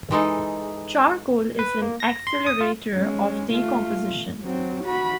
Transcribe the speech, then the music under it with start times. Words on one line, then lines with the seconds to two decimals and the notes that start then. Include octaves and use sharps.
Charcoal is an accelerator of decomposition.
0.11 E3 G#3 D#4 A4
1.59 B4
1.82 A#3
2.00 A#6
2.27 C6
2.46 D#6
2.61 F4
2.95 G#3 C#4
3.53 A3 F4
4.42 F#3 C4
4.84 F#4 B5